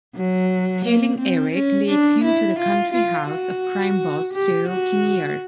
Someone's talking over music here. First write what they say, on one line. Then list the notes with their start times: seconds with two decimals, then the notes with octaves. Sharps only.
Tailing Eric leads him to the country house of crime boss Cyril Kinnear.
0.15 F#3
0.85 A#3
1.20 C4
1.55 C#4
1.90 D4
2.24 E4
2.59 F4
2.94 F4
3.28 F#4
4.34 G4
4.68 F#4